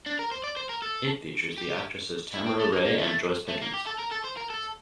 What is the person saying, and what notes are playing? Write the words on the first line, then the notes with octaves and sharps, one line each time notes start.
It features the actresses Tamara Rey and Joyce Pickens.
D4
A#4
C5
D5
C5
A#4
A4
G4
E4
C4
A3
A#3
A#3
A3
A3
A#3
G4
A4
A#4
A4
C5
A#4
A4